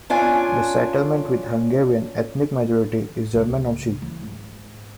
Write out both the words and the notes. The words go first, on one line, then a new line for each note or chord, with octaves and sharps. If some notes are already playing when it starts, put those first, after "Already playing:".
The settlement with Hungarian ethnic majority is Jermenovci.
C#4 D4 F4 G#5
C#2
E3
G#2